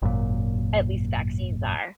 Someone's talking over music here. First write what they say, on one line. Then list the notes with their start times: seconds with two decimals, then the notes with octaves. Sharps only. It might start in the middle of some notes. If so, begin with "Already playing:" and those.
at least vaccines are.
0.02 G#1 F#2 A#2